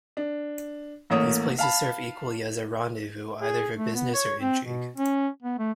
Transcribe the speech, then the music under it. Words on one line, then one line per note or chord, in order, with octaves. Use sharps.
These places serve equally as a rendezvous either for business or intrigue.
D4
A1 A3 A#3 C#5 D#6
F5 A5 B5
G#4
A3
B3
C#5
C4
B2
C#4
B3
A3